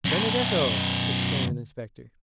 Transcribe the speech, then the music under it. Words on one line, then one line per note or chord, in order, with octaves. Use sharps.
"Benedetto!" exclaimed an inspector.
F#2 B2